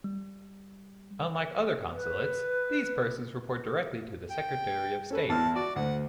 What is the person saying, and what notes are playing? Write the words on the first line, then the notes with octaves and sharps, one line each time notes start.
Unlike other consulates, these persons report directly to the Secretary of State.
G3
B4
G5
C#4 A4 B4
E2 E4 A5 F6
F#4 D5
D2 F#5